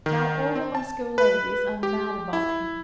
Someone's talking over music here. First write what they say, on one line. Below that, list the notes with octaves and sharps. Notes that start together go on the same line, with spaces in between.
Now all the Moscow ladies are mad about him!
D#3
C4
A5
B4
G4
E4